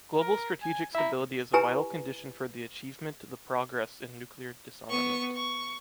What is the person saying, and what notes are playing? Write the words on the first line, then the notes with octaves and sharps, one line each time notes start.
Global strategic stability is a vital condition for the achievement the progress in nuclear disarmament.
A#4
G#5
E4 E5 A#5
E4 G4 B4 G#5 A#5
B3 C#6
C#6